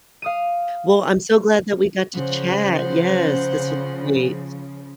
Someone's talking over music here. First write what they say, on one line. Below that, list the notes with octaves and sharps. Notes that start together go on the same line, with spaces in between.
Well, I'm so glad that we got to chat. Yes, this was great.
F5 D#6 D#7
C#3 F3 C5 F#5